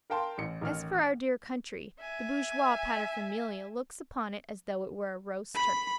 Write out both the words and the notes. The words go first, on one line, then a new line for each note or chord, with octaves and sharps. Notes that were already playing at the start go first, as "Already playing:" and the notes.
As for our dear country, the bourgeois paterfamilias looks upon it as though it were a roast turkey.
A#4 F5 G5 A5 C6
A1 C#7
A1 D#3 F6
E5 G#5
B5